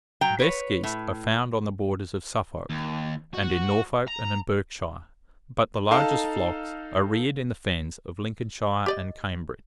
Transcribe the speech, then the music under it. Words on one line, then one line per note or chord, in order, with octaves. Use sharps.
The best geese are found on the borders of Suffolk, and in Norfolk and Berkshire; but the largest flocks are reared in the fens of Lincolnshire and Cambridge.
F#3 G5 A#5
B4 C#5
A2
D#2
F#4
A#5
D#4 A4 F5 A5
G4 D5 D#5